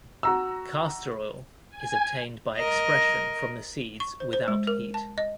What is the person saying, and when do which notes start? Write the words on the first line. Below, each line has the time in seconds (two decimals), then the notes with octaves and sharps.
Castor-oil is obtained by expression from the seeds without heat.
0.23 F#4 A#5 E6
1.69 G#5
2.57 A#4 D#5
4.00 C#6
4.20 C5
4.33 C5
4.48 G#3
4.67 A#4
4.94 A5
5.18 D#5